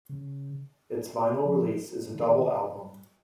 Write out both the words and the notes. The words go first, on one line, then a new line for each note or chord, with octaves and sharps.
Its vinyl release is a double album.
C#3
F3
D#3